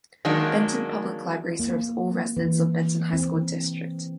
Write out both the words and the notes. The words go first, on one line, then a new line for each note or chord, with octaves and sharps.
Benton Public Library serves all residents of Benton High School District.
D#3 F#3 G#3 A#3 D4
A#3
E3
C4